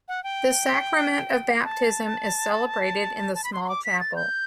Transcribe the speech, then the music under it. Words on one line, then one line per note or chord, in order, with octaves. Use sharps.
The sacrament of baptism is celebrated in the small chapel.
F#5
G5
A5
A5
B5
C6
C6
D6
B6
A6
G6